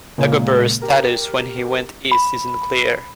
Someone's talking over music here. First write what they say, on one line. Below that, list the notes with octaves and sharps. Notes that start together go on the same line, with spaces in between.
Dagobert's status when he went east is unclear.
A#2 C#3 G#3 A#3
G4 A#4
B5